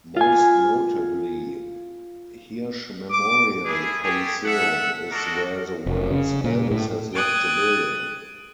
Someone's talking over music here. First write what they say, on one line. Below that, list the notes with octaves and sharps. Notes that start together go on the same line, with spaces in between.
Most notably, Hirsch Memorial Coliseum is where the words Elvis has left the building!
F4 G#5
D6
D4 E4 G#4
A3 G4 G#4
A4 E5 F#5
D4 D#4 F#4 A4 A#4
F1
C#3
A#2
A2
G5 D#6 F#6 G#6 A6